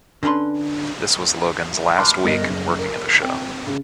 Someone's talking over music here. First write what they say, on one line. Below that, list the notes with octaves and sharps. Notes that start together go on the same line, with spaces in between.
This was Logan's last week working at the show.
D3 C#4 D4 B4 C6
A5 B5 C6 D6 F6 F#6
G1 A#4 D#5 A#6
F#1
A#4
C4
C#3